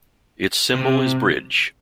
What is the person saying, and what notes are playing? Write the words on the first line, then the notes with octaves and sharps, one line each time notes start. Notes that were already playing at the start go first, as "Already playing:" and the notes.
Its symbol is bridge.
C3